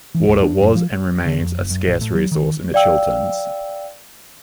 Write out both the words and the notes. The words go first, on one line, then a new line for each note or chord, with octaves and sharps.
Water was and remains a scarce resource in the Chilterns.
E3
D1
D4
F#2
F3
D3
F2
F#1
F#2
A1
A2
F#3
D#3
D5 F5 G5 E6